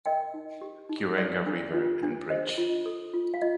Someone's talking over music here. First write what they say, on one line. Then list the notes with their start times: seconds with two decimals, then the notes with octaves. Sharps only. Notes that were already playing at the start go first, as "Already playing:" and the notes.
Kirenga River and bridge.
0.06 A#4 D#5 G5
0.34 D#4
0.61 G4
0.89 D#4
1.18 A4 D5
1.46 D4
1.74 F4
2.03 D4
2.30 C5 D#5
2.58 F4
2.86 A4
3.14 F4
3.34 F5
3.42 F4 D#5